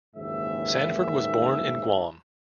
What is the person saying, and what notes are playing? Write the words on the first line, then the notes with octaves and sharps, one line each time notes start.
Sanford was born in Guam.
F#1 D#2 G#2 D#3 E3 E5